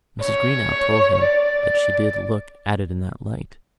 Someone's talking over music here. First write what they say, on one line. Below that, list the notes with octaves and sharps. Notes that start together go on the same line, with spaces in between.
Mrs. Greenow told him that she did look at it in that light.
C#5
D5